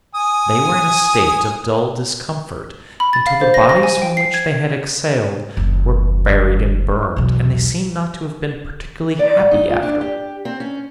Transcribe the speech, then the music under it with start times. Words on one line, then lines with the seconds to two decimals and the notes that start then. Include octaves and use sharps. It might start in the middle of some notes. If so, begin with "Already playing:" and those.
They were in a state of dull discomfort until the bodies from which they had exhaled were buried and burned; and they seem not to have been particularly happy afterward.
0.15 G#5 D#6
3.00 B5
3.13 A6
3.27 F5
3.41 C5
3.54 A#6
3.69 A#6
3.83 G#5
4.02 G5
4.17 C7
4.34 G#6
5.57 F#1 D#2
7.16 B1 E2
9.19 D5
9.37 G#2
9.51 D#4
9.69 F4
9.83 D4
10.01 G4
10.45 C4
10.60 C#4